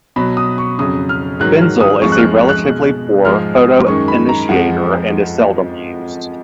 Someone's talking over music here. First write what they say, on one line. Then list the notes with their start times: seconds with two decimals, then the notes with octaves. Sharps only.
Benzil is a relatively poor photoinitiator, and is seldom used.
0.16 B2 F#3 B5
0.37 D#6
0.58 C#6
0.79 F2 C#3 F#3 D#6
1.09 F6
1.40 G#2 D#3 F#3 F#6
1.61 F6
1.81 D#6
2.02 F2 F3 G#3 C#6
2.12 F#6
2.18 F6
2.49 F#6
2.64 B2 G#3
3.25 G#2 F3 G#3 F6
3.56 D#6
3.87 F#2 D#3 G#3 C#6
4.08 B5
4.29 A#5
4.49 F2 F3 G#3 F#5